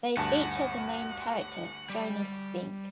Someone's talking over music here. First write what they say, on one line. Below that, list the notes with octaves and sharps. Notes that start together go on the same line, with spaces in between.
They feature the main character Jonas Fink.
D2 G2 F#5 A5
G3